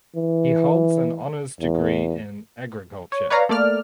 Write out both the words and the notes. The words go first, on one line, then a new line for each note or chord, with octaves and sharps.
He holds an honours degree in agriculture.
E3
E2
C#5
B4 C#5 D5 F5 A#5
A3 A#3 D5 F6